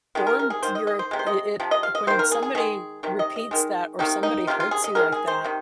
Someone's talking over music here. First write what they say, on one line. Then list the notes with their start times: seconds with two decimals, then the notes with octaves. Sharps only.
formed your it it when somebody repeats that or somebody hurts you like that,
0.15 C3 D#3 G#3
0.27 A#4
0.39 A#4
0.50 G#4
0.62 D#3 A#3 C5
0.75 D#5
0.87 D#5
0.99 C5
1.11 C3 G#3
1.19 C5
1.27 D#5
1.60 C3 F3
1.71 D#5
1.83 F5
1.95 D#5
2.07 D#3 A#3 C5
2.19 A#4
2.32 G#4
2.43 G#4
2.55 D#3 G#3 G#4
3.03 C3 D#3
3.19 D#5
3.36 D#5
3.51 D#3 G#3
3.99 C3 D#3 A#3 D#4
4.23 D#4
4.47 C3 D#3 A#3 F4
4.60 F4
4.71 G#4
4.84 D#5
4.95 D#3 G#3 A#4
5.12 G#4
5.28 C5
5.44 C3 D#3